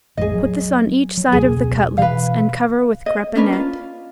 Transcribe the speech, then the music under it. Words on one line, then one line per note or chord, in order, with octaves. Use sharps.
Put this on each side of the cutlets and cover with crepinette.
A1 F2 G#3 G#4 D#5
F#3
F#3
E1 C#2 B2 G#4
B2 E3 B4 F5
D#5
C#4 D4 A#4 B4
F4